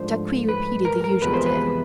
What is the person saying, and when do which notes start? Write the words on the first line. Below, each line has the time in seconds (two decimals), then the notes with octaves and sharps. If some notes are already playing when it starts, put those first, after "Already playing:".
Jacques repeated the usual tale.
Already playing: G#2 F3 A3 D4 C5
0.49 B4
0.85 A#4
1.04 A#4
1.21 E2 C3 F3 G#3 B4
1.34 C5
1.46 B4